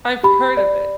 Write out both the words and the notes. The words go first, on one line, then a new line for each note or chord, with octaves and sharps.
I've heard of it.
G4 B5
D5